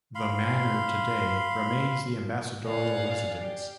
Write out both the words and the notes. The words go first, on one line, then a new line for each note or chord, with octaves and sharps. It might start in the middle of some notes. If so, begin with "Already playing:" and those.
The manor today remains the ambassadorial residence.
F5 B5 C6
D5 F5 F#5 G#5
G4